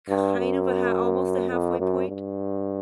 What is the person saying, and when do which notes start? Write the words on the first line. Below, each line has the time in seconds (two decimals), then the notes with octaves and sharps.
kind of a ha almost a halfway point.
0.08 G2
0.37 F#2
1.51 F2
1.79 F#2
2.08 G2